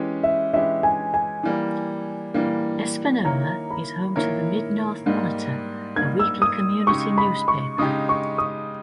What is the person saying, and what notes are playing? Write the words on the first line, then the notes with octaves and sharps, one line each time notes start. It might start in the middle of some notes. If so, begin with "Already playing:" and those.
Espanola is home to the "Mid-North Monitor", a weekly community newspaper.
Already playing: E3 G#3 C#4 G4 B4
E5
E3 G#3 C#4 G4 B4 E5
G#5
G#5
E3 G3 A#3
E3 G3 A#3
D#3 A#3 E4 A#4 C#5 A#5
B5
D#3 A#3 E4 A#4 C#5
G#2 G3 A#3
G#2 G3 A#3 G#6
E6
D#6
C#3 G#3 D#4 G4 C#6
B5
C#6
C#3 G#3 D#4 G4 D#6
C#6
D#6